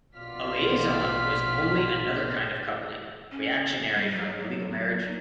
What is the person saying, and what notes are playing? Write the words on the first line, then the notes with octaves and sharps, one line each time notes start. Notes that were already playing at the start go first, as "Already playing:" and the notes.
A liaison was only another kind of coupling, reactionary from the legal marriage.
A#1 B2 F4 D5 F6 B6
C#4
G3
F#3
D#4